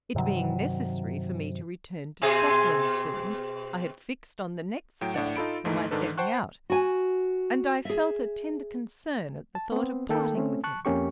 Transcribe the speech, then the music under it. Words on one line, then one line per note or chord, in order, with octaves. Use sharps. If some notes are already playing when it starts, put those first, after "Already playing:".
It being necessary for me to return to Scotland soon, I had fixed on the next day for my setting out, and I felt a tender concern at the thought of parting with him.
G2 C3 D#3 F#3
B2 C4 G#4
A2 F#3 G5 D7
A2 D4 F#5
D#4 F4 A4 B5 D7
D#2 G#2 E3 A3 D#4
G#2 D#3 D4 A4 B4
C5 F#5 G5 A5 C#6 F#6
F#4 G#5
G#4 E5
A5
B3 C4
D#3 A#3 A4 G5
A3 C4 C#4
A5 C#6 F#6
F2 A#3 C#4 G4 C#6